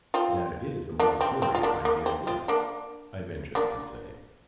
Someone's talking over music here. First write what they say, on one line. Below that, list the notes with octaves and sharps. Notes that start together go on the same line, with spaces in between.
"There is a more curious idea yet," I ventured to say.
C4 F4
A#3 D4
C4
C4
F4
A#3 D4
A#3
C4
C4 F4
A#3 D4
A#3 D4